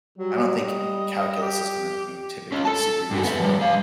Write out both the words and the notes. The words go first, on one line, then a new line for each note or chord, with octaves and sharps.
I don't think calculus is gonna be typically super useful.
F#3 G3
D#5
G4
C#4 F4
A4 A5
G2 F#4
B3 E5
F3 G3
G#3 F5